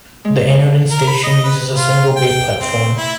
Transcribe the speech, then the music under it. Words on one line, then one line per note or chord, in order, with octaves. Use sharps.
The Enoden station uses a single bay platform.
G#3
A#4
B5
D#5
B4
F4
G5
C4
E4